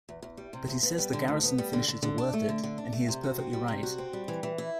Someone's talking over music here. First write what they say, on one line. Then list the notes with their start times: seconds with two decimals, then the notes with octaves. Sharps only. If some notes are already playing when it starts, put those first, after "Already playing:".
But he says the Garrison finishes are worth it, and he is perfectly right.
0.09 E2
0.22 E2
0.37 G3
0.53 C3
0.68 D2
0.83 B3
0.98 G3
1.13 D3
1.28 D2
1.43 B3
1.58 G3
1.73 D3
1.88 D3
2.03 D3
2.18 D4
2.33 A3
2.49 D3
2.63 D3
2.78 D4
2.93 A3
3.08 C3
3.23 F#4
3.38 C4
3.53 G3
3.68 C3
3.83 F#4
3.98 C4
4.13 G3
4.28 E3
4.43 E3
4.58 E4